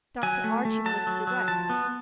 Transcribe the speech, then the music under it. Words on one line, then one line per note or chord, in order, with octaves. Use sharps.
Dr. Archie was direct.
F#3 G#5
A3
A3
F#3 A5
F#3
F#3
F3 A5
B3